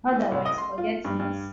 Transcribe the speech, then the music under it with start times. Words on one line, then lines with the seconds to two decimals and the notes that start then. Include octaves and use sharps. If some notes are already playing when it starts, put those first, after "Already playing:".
Otherwise forget it.
0.12 E3
0.31 C2
0.46 D#5
0.58 C6
0.78 F4
1.05 G2
1.20 G2